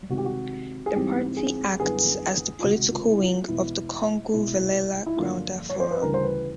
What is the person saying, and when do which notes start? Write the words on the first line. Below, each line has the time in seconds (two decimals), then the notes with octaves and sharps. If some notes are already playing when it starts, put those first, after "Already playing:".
The party acts as the political wing of the Kongu Vellala Gounder Forum.
0.09 C3 D#3 G#3 C4 F#4
0.18 G4
0.25 F#4
0.86 G#4
0.95 G#2 E3 G3 C4 G4
1.37 G#4
1.79 F#2 D3 G3 B3 E4 G#4
2.59 F4
2.63 C#2 C3 D#3 G#3 F#4
2.92 F4
3.11 E4
3.20 F4
3.48 E2 B2 G#3 B3 E4
4.33 C2 B2 G#3 E4
5.06 E4
5.17 G2 D3 F3 A#3 D4 F4
5.69 C#5
5.80 C5
5.91 B4
6.02 D2 C#3 E3 G3 A#4
6.14 C5
6.23 B4